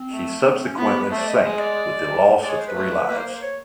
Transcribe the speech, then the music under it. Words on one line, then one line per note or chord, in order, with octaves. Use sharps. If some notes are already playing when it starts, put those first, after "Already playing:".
She subsequently sank with the loss of three lives.
Already playing: C4
A3
B3
C4
C#4
B3 F4
F#4
G4
B4
A3 C5
D5
D#5
E5
G#3 D#5
D5
G3
G#3 D5
C#5
C5
B4
A3
A#3 B4
C5
C5
C#5